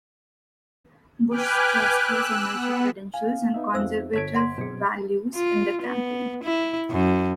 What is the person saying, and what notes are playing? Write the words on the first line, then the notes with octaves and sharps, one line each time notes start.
Bush stressed his energy credentials and conservative values in the campaign.
B4 G5 G#5 D6 F6 F#6
E6 F#6
B3
F5 G#5
B3 D#4 E5
F2 C5 E6
G1 A4 C#5 G#6 B6 D7
D5 F#5 C6
B2 F#3 C4 D4 G#4
F4
B3
E4
F#2